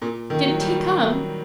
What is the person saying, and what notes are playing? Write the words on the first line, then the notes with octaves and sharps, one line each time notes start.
"Didn't he come?"
A#2
D#3
F#3
G3
F#3